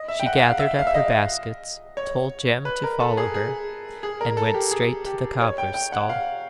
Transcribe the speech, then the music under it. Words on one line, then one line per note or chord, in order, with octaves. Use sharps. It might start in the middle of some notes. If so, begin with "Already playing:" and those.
She gathered up her baskets, told Jem to follow her, and went straight to the cobbler's stall.
Already playing: D#5
E5
G5
F#5
F#5
F5
E5
F5
E5
D#5
C#5
B4
A#4
A4
G#4
G#4
G#4
A#4
A4
G4
G#4
G4
C#5
G5
G5
F#5
F5